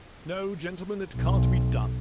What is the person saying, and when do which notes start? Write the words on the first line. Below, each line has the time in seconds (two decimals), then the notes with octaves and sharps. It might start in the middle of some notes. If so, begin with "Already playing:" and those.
No, gentlemen, it can't be done.
1.15 B1